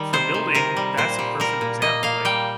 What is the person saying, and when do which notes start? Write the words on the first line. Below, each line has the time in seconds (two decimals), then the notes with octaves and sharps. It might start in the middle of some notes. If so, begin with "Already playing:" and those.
For building, that's a perfect example, like
Already playing: D#3 G3
0.13 C3 C5
0.34 D#3
0.55 C3 A#4
0.76 G3
0.97 A#2 C5
1.19 G3
1.40 G3 A#4
1.61 A#2
1.82 A#3 D#5
2.03 A#3 F5
2.25 G3 G5